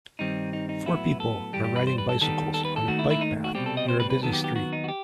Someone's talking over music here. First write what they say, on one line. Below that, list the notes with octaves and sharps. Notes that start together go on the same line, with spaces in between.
Four people are riding bicycles on a bike path near a busy street.
G2 D#3 G3 C4 D#4
D#4
D#4
A2 F#3 B3 E4
A4
G2 E3 G3 G4
G4
B4
C5
B4
A4
D#2 D#3 G3 B3 A4
A4
B4
A4
D#2 D#3 A3 F#4
E4
E4
D#4
F#4
C2 B2 G3 C4 G4
A4
D#5
C5
B4
B4
D#2 D#3 F#3 B3 A4
G4
G4
F#4
D#4
F#4
G4